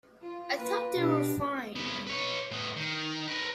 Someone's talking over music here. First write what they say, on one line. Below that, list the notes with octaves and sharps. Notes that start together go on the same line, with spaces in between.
I thought they were fine.
F4
A#3 F4 B4
B2 D4 G4
C2 B3
B4 C#5
A2 B3
D#3
A#4 B4